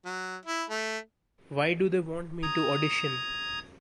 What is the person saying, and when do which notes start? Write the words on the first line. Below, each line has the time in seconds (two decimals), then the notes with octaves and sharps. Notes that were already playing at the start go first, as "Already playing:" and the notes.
Why do they want me to audition?
0.05 F#3
0.46 E4
0.70 A3
2.42 A#5 D#6 G#6